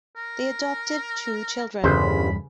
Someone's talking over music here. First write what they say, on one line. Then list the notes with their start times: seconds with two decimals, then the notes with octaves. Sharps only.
They adopted two children.
0.17 A#4
1.84 G1 E2 G2 C#3 C5 B5